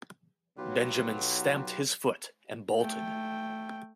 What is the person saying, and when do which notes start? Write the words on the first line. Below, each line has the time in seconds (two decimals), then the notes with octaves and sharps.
Benjamin stamped his foot, and bolted.
0.57 B1 F#3 F4 G4 B4
2.79 A3 G5